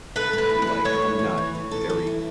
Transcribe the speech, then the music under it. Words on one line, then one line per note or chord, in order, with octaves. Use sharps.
like, I'm not very
A4 B4
A3 B4
E3
B4
A4
A3 C#5
E4
E3
E3
E3
A4
E3
E4